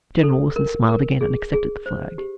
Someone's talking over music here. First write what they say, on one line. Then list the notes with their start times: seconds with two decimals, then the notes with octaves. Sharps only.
General Wilson smiled again and accepted the flag.
0.23 A4
0.56 A#4
0.89 A#4
1.21 G#4
1.53 G#4
1.86 C5
2.18 G4